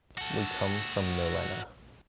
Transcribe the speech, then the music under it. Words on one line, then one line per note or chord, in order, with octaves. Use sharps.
We come from Millena.
F#4 A4